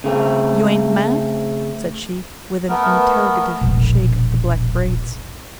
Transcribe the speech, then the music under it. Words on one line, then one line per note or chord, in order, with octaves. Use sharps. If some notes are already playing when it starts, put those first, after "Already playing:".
"You ain't mad?" said she, with an interrogative shake of the black braids.
C#3 A3 C4
A3 B3 A#4
E1 A#1